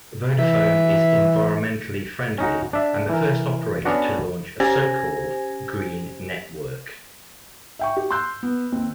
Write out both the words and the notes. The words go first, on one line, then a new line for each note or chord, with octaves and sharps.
Vodafone is environmentally friendly and the first operator to launch a so-called Green network.
E3 E5
C#4 D#4 F#4
D4 E5
E3 A#4
B3 C#4 D4 F#4
C#4 G4 C5 G#5 G#6 A#6
E5 G5 C#6
G4
C6 E6 F#6 G6
B3
D#2 C4